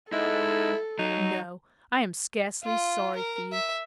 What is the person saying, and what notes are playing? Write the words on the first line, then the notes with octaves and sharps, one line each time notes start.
No; I am scarcely sorry for you.
G#3 D#4 E4 A4
F#3 D#4
F4
A#4
E5